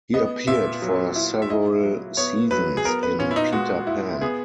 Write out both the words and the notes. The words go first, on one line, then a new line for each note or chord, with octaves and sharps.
He appeared for several seasons in Peter Pan.
B3 D#5
A#2 E5
F#3
E4
E5
E4 D#5
F#3
B3 C#5
F#3 B4
G#4
B3 A#4
B4
A#2 C#4
E4
D#4
G#3 F#4
E4
B3 G#4